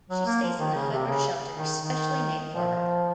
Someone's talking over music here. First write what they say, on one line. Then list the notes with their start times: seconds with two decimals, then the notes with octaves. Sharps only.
She stays in a hut or shelter specially made for her.
0.10 F#3
0.26 A#3
0.42 F3
0.59 D#3
0.75 C#3
0.91 C3
1.07 C#3
1.55 D#3
1.80 D#3
2.53 F3